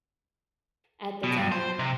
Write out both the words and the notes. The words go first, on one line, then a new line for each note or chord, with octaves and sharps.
at the time,
B2
G2
C5
C3